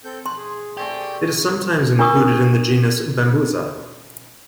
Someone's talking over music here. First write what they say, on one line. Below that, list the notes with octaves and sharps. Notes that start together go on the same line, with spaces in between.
It is sometimes included in the genus "Bambusa".
C4 A4 G6
C6 F#6
G#4
A3 C4 G4 G#4 D5
D4 F4 A#4 C#6 D#6